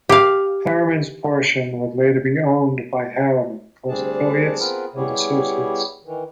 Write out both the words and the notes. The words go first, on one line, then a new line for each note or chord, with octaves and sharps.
Harriman's portion would later be owned by Harriman, close affiliates and associates.
G4 F5
D2 G3 C4 D4 G#4 A5
B3 C4 F4 G#4 A#4 B4
G3 B3 E4 G4 G#4 C#5
D#3 E3